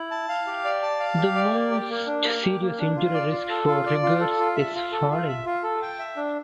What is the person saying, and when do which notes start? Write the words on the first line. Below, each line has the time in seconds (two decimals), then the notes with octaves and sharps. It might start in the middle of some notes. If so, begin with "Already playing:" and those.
The most serious injury risk for riggers is falling.
Already playing: E4
0.11 A5
0.29 F5
0.47 G4
0.65 D5
0.82 A5
1.00 F5
1.18 G4
1.35 D5
1.53 A#3
1.71 G4
1.89 A#3
2.07 D4
2.25 A#3
2.43 G4
2.61 A#3
2.79 D4
2.96 F4
3.14 D5
3.31 F4
3.49 A4
3.67 F4
3.86 D5
4.03 F4
4.20 A4
4.39 F4
4.56 E5
4.75 F4
4.92 A4
5.10 F4
5.28 E5
5.46 F4
5.63 A4
5.82 G5
5.99 E5
6.17 D4